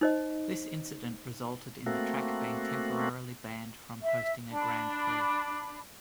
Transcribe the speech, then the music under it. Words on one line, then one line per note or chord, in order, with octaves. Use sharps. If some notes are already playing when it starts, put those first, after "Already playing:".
This incident resulted in the track being temporarily banned from hosting a Grand Prix.
D#4 C5 D#5
A3 A#3 C4 F#4
E5
D4 B5